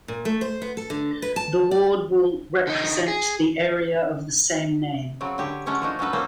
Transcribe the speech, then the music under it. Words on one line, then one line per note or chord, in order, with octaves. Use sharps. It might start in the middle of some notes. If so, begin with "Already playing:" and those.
The ward will represent the area of the same name.
A#2
A3
C5
B3
A4
D3
B4
A5
D5
D3 D#4
G#4
C#3 F#3 C4
D3 G4 C#5
F#3 G#3 A3 C#4 A4 C#5
F3 D4 D#4
F#3 C#4 D#4 A4 B4
A#2 A#3 C#4 A4 C5